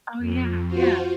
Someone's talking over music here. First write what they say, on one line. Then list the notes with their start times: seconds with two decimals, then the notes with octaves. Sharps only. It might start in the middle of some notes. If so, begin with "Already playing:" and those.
Oh, yeah, yeah.
0.19 F2
0.66 F4 F#4 C5